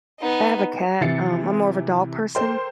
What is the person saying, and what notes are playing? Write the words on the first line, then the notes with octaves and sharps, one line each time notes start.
I have a cat, um, I’m more of a dog person,
B3 D#4
C3 E3 E4 A6 C7 C#7
A4 A#4 C5 G5 C6